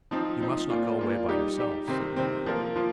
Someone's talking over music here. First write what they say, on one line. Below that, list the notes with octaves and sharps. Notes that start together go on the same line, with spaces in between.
"You must not go away by yourself," said Lily.
F3 C4 D#4
F3 C4 D#4
A#2 A#3 F4
A#2 A#3 F4
G3 D#4 G4
G3 D#4 G4
C3 D#3 C4
C3 D#3 C4
F3 A#3 F4 A#4
F3 A#3 F4